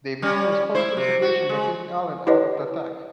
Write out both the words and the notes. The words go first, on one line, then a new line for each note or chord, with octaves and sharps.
Davidson responded to the situation by hitting Allen out of the attack.
G3 C#4
E4 C5
C3
F#4
G#3
E4 G4 B4 C#5 D#5